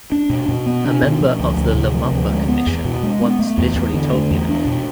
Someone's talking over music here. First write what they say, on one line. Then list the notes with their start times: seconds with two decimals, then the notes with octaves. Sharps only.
A member of the Lumumba Commission once literally told me that.
0.12 D4
0.30 B2
0.49 B2
0.66 B3
0.85 D4
1.03 B2
1.21 F3
1.39 D2
1.57 D2
1.75 C3
1.94 F3
2.11 D2
2.30 G#3
2.48 B3
2.66 E2
2.85 B2
3.03 G#3
3.21 B3
3.39 A3
3.58 E2
3.76 E2
3.94 D3
4.12 A3
4.31 E2
4.49 D4
4.67 B2